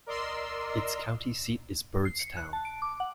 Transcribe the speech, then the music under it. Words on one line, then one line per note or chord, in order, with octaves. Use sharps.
Its county seat is Byrdstown.
A#4 D5 D#5 C6 E6
C7
C#7
F#6
A5
D7
D6
F#5